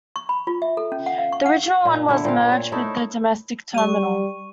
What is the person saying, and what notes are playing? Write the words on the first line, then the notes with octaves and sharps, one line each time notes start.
The original one was merged with the domestic terminal.
C#6
B5
F4
E5
A4
C#4
F#5
F5
C#6
F#5
A#2
D3 E4
A#2 C4 F5
C#5
A3 D#4 E4
G3 C#6 D#7